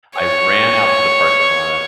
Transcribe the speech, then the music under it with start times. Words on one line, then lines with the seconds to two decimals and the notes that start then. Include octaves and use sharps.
I ran out to the parking lot.
0.17 C#5